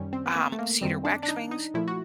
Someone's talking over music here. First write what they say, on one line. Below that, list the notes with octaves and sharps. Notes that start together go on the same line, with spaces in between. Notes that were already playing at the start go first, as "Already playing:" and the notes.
um, cedar waxwings,
Already playing: F#2 D#3 G3 C#4
C4
B3
A#3
A3
A#3
F#2 D#3 G3 C4
D4
D4
D#4
D#4
A#2 F3 A3 E4
F#4